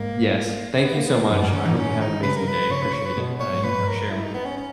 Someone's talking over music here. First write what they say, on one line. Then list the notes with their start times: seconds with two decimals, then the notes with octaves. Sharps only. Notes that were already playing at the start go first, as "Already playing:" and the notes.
Yes. Thank you so much. I hope you have an amazing day. Appreciate it, uh, you t sharing with me.
Already playing: G#2 A#3
0.83 B3
0.95 A#3
1.07 B3
1.23 A#3
1.30 G2 B3
1.42 G2
1.48 D#4
1.53 D#3 C#4
1.65 E3 D#4
1.77 D#3 C#4
2.01 D#4
2.23 C#3 B4
2.36 A#4
2.47 B4
2.70 C#3 C#5
2.82 B4
2.93 C#5
3.06 B4
3.17 B2
3.40 C#5
3.55 G#2
3.64 A#2 B4
3.79 G#2
3.87 A#4
3.95 G#2
4.10 E4
4.23 D#4
4.34 B3
4.45 C#4
4.57 C#4